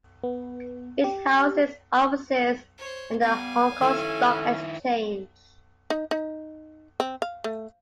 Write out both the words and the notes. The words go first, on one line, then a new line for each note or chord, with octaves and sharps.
It houses offices and the Hong Kong Stock Exchange.
B3
G4
C5 C#5
G3 B3 F5 G#5
D#3 C#4 E4 A4
D#4
D#4
C4
F5
A3